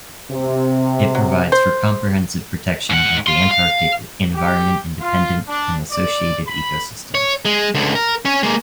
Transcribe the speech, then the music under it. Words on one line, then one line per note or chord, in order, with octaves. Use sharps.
It provides for comprehensive protection of the Antarctic environment and dependent and associated ecosystems.
C3
F#3
C5
G#2 F#5
F5 C6
F5
G4
F4
D4
D5
B5
C#5
G#3
C#2 D3
A#4
C#4 C#5
G#3 A#3